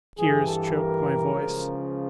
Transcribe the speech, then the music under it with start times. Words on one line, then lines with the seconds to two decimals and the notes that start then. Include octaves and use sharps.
Tears choked my voice.
0.18 G2 E3 G3 G#4
0.45 A4
0.74 A#4
1.30 C#2 C#3 F3